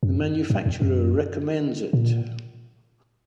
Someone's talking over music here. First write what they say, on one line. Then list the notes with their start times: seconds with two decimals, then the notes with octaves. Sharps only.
The manufacturer recommends it.
0.03 F#2
0.50 G2
0.66 E2
0.82 F#2
1.93 A#2